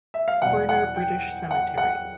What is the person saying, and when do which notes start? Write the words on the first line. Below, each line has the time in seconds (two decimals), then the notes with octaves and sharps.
Corner British Cemetery.
0.14 E5
0.28 F5
0.42 E2 B2 G3 F#5
0.69 F#5
0.96 G5
1.51 F#5
1.78 F#5